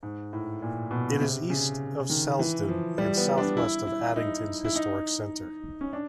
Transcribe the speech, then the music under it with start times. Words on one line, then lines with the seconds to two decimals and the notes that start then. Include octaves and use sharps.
It is east of Selsdon, and south-west of Addington's historic centre.
0.03 G#2
0.33 A2
0.62 A#2
0.91 B2
1.21 C3
1.50 C#3
2.10 D#3
2.39 E3
2.69 F3
2.98 G3
3.17 B3
3.38 D4
3.57 E4
3.87 E4
4.16 D#4
4.65 E4
4.75 D#4
5.81 C#4
5.93 D4